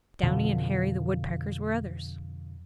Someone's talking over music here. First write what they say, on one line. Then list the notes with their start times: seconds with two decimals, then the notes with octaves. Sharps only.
Downy and Hairy the Woodpeckers were others.
0.23 F2 B2 D3 F3